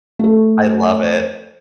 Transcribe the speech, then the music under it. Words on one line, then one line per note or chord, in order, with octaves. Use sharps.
I love it.
A3 A4